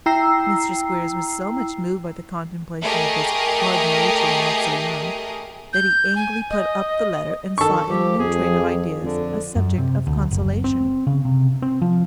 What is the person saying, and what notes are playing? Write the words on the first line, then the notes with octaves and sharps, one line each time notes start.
Mr Squeers was so much moved by the contemplation of this hardened nature in one so young, that he angrily put up the letter, and sought, in a new train of ideas, a subject of consolation.
E4 G5 A#5 E6 C7
A3 G4 G#4 A#4 D#5 D#6
G6
G#5
D#5
D#3 A4 C#6
F3 G4
F2 G#4
F2 D3
F#2
C3
D2
F#1
C4
C#3
C3
C4
F3